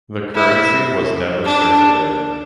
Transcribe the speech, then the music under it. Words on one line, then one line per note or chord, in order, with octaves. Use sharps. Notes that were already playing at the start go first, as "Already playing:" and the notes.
The currency was never circulated.
E4
D4